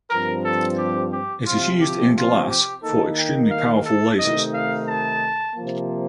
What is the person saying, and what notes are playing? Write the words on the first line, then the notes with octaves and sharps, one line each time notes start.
It is used in glass for extremely powerful lasers.
G2 F3 C4 A#4
A4
G4
G4
C3 F3 C4 F4
G4
F4
G4
D#3 A#3 D#4 A4
G5
F5
A4
C3 D#3 A3 D#4 D#5
F5
A5
C3 F3 A#3